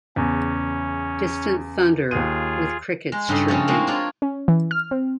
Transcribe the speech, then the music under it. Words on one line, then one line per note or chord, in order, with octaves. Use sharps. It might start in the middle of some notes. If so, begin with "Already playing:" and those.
Distant Thunder with Crickets Chirping.
E2 C#3 C#4
D#2 F4 G#4 D#7
G#3
G2 C#3 D#4 A4 D#5 C6
C#3 F3 A3 C4 C#4
G#3 A#3 C4 D#4 F#4
D4 F4 C#5 D5
C#4
E3
F6
C4